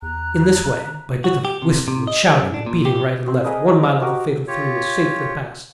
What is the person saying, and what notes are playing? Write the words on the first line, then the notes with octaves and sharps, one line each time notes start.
In this way, by dint of whistling and shouting, and beating right and left, one mile of the fatal three was safely passed.
E2 A#5 F#6
F#4
G4
C3
C3
D#5
G3
F#2
D4
A#2
G4
C4 C5
G#4 A#4 B4 D#5
A#4 C5
F#4 G4 A#4
F4 G4 C#5